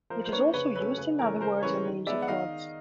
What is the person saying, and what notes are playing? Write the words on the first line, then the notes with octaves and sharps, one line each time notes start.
It is also used in other words or names of gods.
F3 A#4 C5
C5
A#3 D4 B4 C#5
C#3 B4 C#5
F#3 A3 C#4 B4
C#3 B4
E3 A3 C#4 A#4
C#3 A#4 C5
E3 G#3 C#4 B4 C#5
D#3
G#3 B3 D5 E5
F#5
D#3 D#5 F5